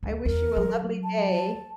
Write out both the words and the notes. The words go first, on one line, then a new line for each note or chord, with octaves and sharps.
I wish you a lovely day.
D2
E2 A#4
F#3
A5